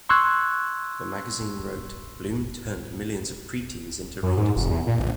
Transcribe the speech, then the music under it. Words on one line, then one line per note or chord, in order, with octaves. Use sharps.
The magazine wrote, Blume turned millions of pre-teens into readers.
C6 C#6 E6 F#6 G#6
F#2
G#2
F1
E2
A#2
A#1